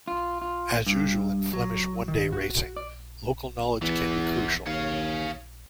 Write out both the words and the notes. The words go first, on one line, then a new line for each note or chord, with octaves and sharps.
As usual in Flemish one-day racing, local knowledge can be crucial.
F4
F4
G2
F#3
D#3
F#4
D5
E2 E3 B3
D#2 C#5 F5